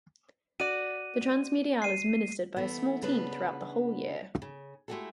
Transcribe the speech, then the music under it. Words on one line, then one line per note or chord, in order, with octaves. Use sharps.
The transmediale is ministered by a small team throughout the whole year.
F#4 D5 D#7
C7 D#7
E3 A3 B3
C#3 B3 D4 B4
C#3
G#3 A3 E4 F#4 G4 A4